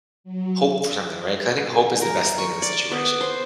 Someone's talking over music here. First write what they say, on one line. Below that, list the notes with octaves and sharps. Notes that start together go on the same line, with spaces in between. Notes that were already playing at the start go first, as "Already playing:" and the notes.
hope for something, right? 'Cause I think hope is the best thing in the situation.
F#3
A#4
C#6
D5
B3
C5